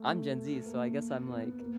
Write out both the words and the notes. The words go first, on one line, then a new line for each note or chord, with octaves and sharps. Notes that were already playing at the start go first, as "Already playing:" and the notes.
I'm Gen Z so, I guess I'm like,
Already playing: A3
A#3
B3
A#3